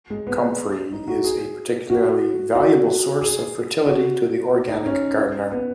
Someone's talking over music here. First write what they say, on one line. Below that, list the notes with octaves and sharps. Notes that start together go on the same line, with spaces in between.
Comfrey is a particularly valuable source of fertility to the organic gardener.
G#3
B3
D#4
F#4
G#4
F#4
F#4
G#4
F#4
D#4
C#4
B3